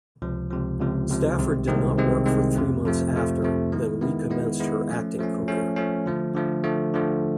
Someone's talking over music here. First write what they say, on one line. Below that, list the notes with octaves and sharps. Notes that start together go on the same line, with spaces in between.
Stafford did not work for three months after then re-commenced her acting career.
C#2 C3 F3
C#2 C3 F3
C#2 C3 F3
C#2 C3 F3
C2 C3 D#3 G#3 C4
C2 C3 D#3 G#3 C4
C2 C3 D#3 G#3 C4
C2 C3 D#3 G#3 C4
F2 C3 F3 A3
F2 C3 F3 A3
F2 C3 F3 A3
F2 C3 F3 A3
D#3 G#3 B3 E4
D#3 G#3 B3 E4
D#3 G#3 B3 E4
D#3 G#3 B3 E4
F3 A3 C#4
F3 A3 C#4
F3 A3 C#4
F3 A3 C#4
D3 F3 A3
D3 F3 A3
D3 F3 A3
D3 F3 A3